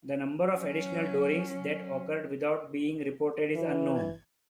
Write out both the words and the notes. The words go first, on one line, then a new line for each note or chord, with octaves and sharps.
The number of additional doorings that occurred without being reported is unknown.
F#3 C#4
E3